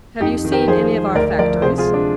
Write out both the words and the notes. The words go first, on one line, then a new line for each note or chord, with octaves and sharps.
Have you seen any of our factories?
F2 D#4 G4
D#3
G4 A#4
F3 G#4 C5
G#3
D2 A#4 D5
F3 A#4 D5
C3 G#4 C5
F4 G#4
G#3
D4